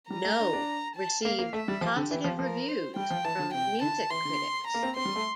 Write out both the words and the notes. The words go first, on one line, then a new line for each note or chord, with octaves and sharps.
"No" received positive reviews from music critics.
G3 A#5
A3
D4
D4
A5
A#3 F5
A#3
A3 E5
G3
F3 G4
D3
E3
F3
F3 A#4
C5
G3 G5
F3
E3 A5
D3
C3 G5
D3 A5
E3 C6
D3
A#5
A#3
C4
C4 C6
G3
A3